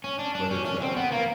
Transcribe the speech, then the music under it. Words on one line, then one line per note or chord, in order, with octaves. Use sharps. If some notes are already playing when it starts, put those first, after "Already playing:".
but it's a
C#4
D4
D4
C#4
C#4
C4
B3
A#3